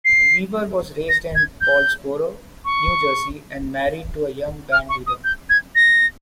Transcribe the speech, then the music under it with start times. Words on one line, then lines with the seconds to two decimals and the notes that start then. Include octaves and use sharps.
Weber was raised in Paulsboro, New Jersey and married to a young bandleader.
0.05 C7
1.09 A#6
1.35 G#6
1.61 G6
2.65 C#6
4.72 F6
4.89 C#6
5.07 D#6
5.24 G6
5.50 G#6
5.75 A#6